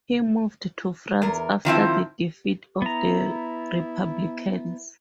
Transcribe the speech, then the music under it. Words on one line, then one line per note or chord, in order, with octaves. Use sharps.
He moved to France after the defeat of the Republicans.
E2 A#4
D#3 F3 C4 E4
B3 E4 A#5